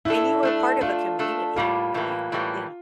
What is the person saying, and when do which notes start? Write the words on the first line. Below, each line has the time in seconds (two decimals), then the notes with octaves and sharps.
And you were part of a community. Ye yeah.
0.05 A3 D4 E4 A4
0.43 A3 D4 A4
0.81 A3 D4 F4 A4
1.19 A3 D4 A4
1.56 A2 E3 G3 A#3 F4
1.94 A2 E3 G3 A#3
2.32 A2 E3 G3 A#3